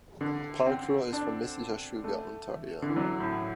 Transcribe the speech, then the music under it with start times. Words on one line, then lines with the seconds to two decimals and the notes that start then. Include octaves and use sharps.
Pakrul is from Mississauga, Ontario.
0.21 D3
0.66 C4
1.13 D4
2.04 A3
2.82 D3
2.90 E3
2.97 F#3
3.20 A2